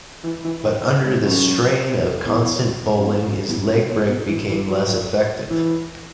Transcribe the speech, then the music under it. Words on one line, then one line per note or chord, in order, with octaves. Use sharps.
But under the strain of constant bowling, his leg break became less effective.
E3
E3
D#3
G#2
F#2
E2
F#2
E2
F#2
E2
F#2
G#2
A#2
B2
E3
E3
F#3
E3